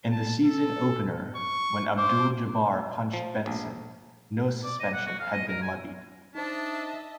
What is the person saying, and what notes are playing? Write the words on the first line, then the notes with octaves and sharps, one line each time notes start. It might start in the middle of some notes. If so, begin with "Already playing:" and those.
In the season opener, when Abdul-Jabbar punched Benson, no suspension had been levied.
A5
A4
C#6
C5 D6
F3
A#1
D5
D#5
F#5
F#4
F5
D#5
A#4
G#5
D4 D#4 C5 D#5 E5 A5